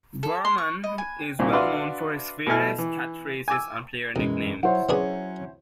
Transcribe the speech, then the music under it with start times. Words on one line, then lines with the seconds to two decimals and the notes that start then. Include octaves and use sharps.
Berman is well known for his various catchphrases and player nicknames.
0.23 A4
0.45 C6
0.58 C#6
0.84 D#5
0.98 G#5
1.39 C2 A#2 C4
1.52 D4 F#4 B4 E5 F5 C6
2.47 B2 A3 E4 G#5 F6
2.78 E3
3.48 G#5 D6 E6
4.16 B1 F#2 E3 G#3
4.63 F#3 E4 C5 C#5 F#5
4.89 F#3 B3 C#4 D4 G#4